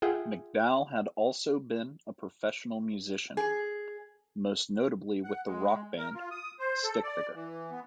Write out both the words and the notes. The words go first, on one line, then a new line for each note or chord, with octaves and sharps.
McDowell has also been a professional musician, most notably with the rock band, Stickfigure.
F4 G#4 E5 F#5 G5
G#4
F#5
G#3
A#4
F4
D#6
C5
A4
D5
E3
B3